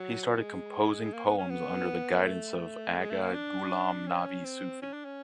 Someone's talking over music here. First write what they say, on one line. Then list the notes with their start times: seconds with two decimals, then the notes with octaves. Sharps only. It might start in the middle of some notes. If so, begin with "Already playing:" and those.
He started composing poems under the guidance of Agha Ghulam Nabi Sufi.
Already playing: F#3
0.40 G#3
1.13 A#3
1.25 B3
1.38 C#4
1.50 B3
2.24 A3
2.98 G#3
3.10 A3
3.22 A#3
3.34 D4
4.08 C#4
4.45 C4
4.82 C#4
4.93 D4
5.05 C#4